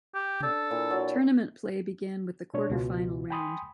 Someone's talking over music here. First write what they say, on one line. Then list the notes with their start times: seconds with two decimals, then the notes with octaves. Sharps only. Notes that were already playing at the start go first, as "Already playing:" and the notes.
Tournament play began with the quarterfinal round.
0.14 G4
0.43 D4 A4
0.71 A#2 D4 E4
0.90 F#3
2.54 B2 G#3 D4 C#5
2.70 C#2 B2 F4
3.30 G5 G#5 B5 C6 D#6